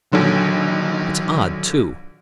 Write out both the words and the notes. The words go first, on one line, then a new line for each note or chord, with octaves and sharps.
It's odd, too.
A#1 D3 D#3 F#3